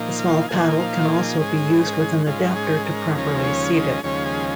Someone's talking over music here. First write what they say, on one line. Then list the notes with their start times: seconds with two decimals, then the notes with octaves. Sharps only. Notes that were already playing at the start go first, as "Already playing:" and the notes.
The small paddle can also be used with an adapter to properly seat it.
Already playing: A#2 F3 A#3 D#4
0.19 F5
0.49 A#2 F3 A#3 D#4 G#5
0.79 F5
1.01 F4
1.08 G#4
1.38 G#2 G#3 C#4
2.26 G#2 G#3 C#4 F4
2.56 G#4
2.86 A#4
3.15 D#2 C#3 F3 G#3 C#4 A#4
3.44 C#5
3.74 D#5
4.03 D#2 C#3 F3 G#3 C#4 C#5
4.26 G#4